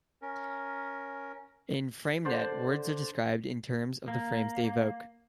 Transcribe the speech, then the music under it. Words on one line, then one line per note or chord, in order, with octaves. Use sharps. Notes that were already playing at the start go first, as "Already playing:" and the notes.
In FrameNet, words are described in terms of the frames they evoke.
C#4 A#4
D3 C5 D5
A#3